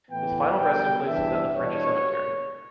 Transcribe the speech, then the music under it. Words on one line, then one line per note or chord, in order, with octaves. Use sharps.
His final resting place is at the French cemetery.
A2 E3 B3 E4 G5
B2 G3 D4 G5
G2 E3 B3 D4 E5
E2 B2 G3 D4 C#5